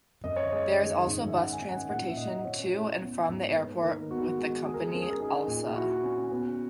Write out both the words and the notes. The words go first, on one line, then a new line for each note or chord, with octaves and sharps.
There is also bus transportation to and from the airport with the company Alsa.
F#2 D#5
C#5
G#3 D#5
D#3
G#2
E5
D#3 F#5
G#5
C#4
F#5
A#2 F#5
E5
A#2 D#5
C#4 C#5
E4
B3
G#2
A#3 B4
D#3 A#4
B3 F#4
G#3
G#3 G#4
A#4
G#4
C#4 A#4
G#4
A#4
D#4 G#4
A#2
E4 F#4
C#4
B3